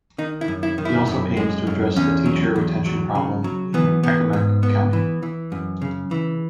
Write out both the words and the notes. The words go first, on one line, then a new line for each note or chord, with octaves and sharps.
He also aims to address the teacher retention problem in Accomack County.
D#3 D#4
E4
F#2
E4
D#3
E4
F#2
G#3
F#2
E2 C#4
F#3
E2
F#3
C#3
F#3
E3 B3
B3
G#2
B3
E3
E3
F#2
C#3
E3